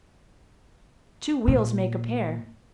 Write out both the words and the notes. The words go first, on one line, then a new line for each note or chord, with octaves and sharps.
Two wheels make a pair.
A#2